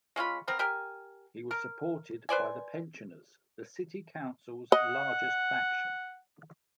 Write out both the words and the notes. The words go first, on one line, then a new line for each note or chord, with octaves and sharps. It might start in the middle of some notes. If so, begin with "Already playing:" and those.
He was supported by the Pensioners, the city council's largest faction.
G#3 C#4 F4 B5
B3 C4 A#4
G4 A#4 G#5
A#4
B4 C5 D5 G#5
D#5 F#5